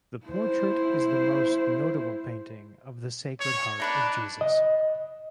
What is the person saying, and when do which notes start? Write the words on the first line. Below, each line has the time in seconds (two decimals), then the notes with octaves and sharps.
The portrait is the most notable painting of the Sacred Heart of Jesus.
0.26 E4 C5
3.40 C#5
3.80 D4 D#4 B4 D5
4.41 D#5